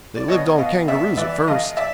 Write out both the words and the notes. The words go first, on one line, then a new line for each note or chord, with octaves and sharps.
They lived on kangaroos at first.
D5
B2 C#5 D#5
B2 D#5 F5
B2 D5 E5
E3 D5 E5
A1 D#5 F5
D5 E5